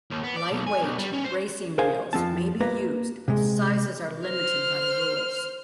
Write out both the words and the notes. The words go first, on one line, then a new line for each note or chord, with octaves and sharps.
Lightweight racing wheels may be used, but the sizes are limited by the rules.
D#2
B3
D5
B1
G#5
B1
G3
C#4
C5
G#4 A#4 C5 F5 G#5
F2 F3 F#3 C4 A5
A#3 B4 A#5
C3 G#3
C5 F6